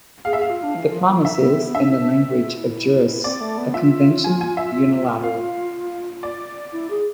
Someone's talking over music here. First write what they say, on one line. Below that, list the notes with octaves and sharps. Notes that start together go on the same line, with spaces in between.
The promise is, in the language of jurists, a convention unilateral.
G#4 F5
E5
G#4 F5
F4
D4
E3
F3
F3
E5
B3
C4
B3
D4 E5
E4
D4
C4
C4
F4
E4
C4 D5
A3
B3
F4 E5
G#5
G#5
E5
F4
F5
D5
E4
G#4